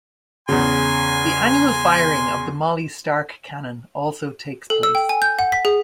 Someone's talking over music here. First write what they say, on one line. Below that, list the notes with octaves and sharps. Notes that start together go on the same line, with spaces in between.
The annual firing of the Molly Stark cannon also takes place.
E2 C#3 G#5 C6
A4
E6
G5
G#5
G6
F#5
B6
G#4